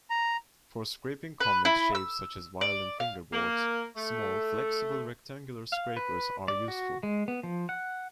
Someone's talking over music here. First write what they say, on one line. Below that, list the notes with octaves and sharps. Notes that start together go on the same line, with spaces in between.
For scraping convex shapes such as violin fingerboards, small flexible rectangular scrapers are useful.
A#5
B4
E4
E6
D5
F5
A#3
A3
F5
B4
D5
F#4
G#3
B3
F3
F#5